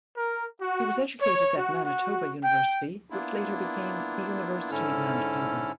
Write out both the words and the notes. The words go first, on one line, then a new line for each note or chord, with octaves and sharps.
He was educated at Manitoba University, which later became the University of Manitoba.
A#4
F#4
C#5
F#4
F#4
G5
A#3 B3 D4 E4 F4
G#2 D3 C#4 E4 A4 F6